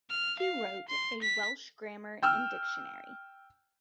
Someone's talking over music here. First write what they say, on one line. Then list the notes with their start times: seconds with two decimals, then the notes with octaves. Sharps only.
He wrote a Welsh grammar and dictionary.
0.10 F6
0.39 F5
0.88 C6
1.22 B6
2.23 G5 E6 F6